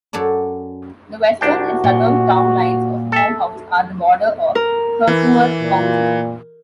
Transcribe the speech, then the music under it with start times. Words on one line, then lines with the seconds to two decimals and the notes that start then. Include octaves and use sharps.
The western and southern town lines of Morehouse are the border of Herkimer County.
0.13 F#2 A4 C#5 D5
1.41 C2 D4 F#4 G5
1.84 A#2
3.12 A4 E5
4.55 A#4
5.07 E3
5.61 A#2